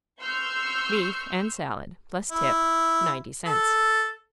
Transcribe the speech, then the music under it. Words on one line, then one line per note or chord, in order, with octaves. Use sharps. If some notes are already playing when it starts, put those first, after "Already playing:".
Beef and salad, plus tip, ninety cents.
C6 C#6 E6 F6 G6
E4
A4